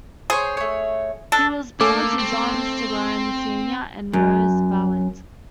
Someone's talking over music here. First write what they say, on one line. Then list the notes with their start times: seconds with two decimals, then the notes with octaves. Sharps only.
He was born to John Cerone Senior and Rose Valant.
0.30 G#4 C5 C#5
0.57 A3 C#5
1.32 D4 A4
1.81 A3 A#3 A4 D6
2.19 C4
4.13 F#2